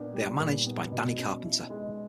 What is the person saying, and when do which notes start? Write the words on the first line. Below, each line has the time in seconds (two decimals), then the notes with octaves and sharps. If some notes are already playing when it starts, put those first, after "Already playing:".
They are managed by Danny Carpenter.
Already playing: A#2 B3 D4
0.14 G3
0.39 A#2
0.66 B3
0.91 B2
1.18 C#4
1.44 E4
1.70 G#3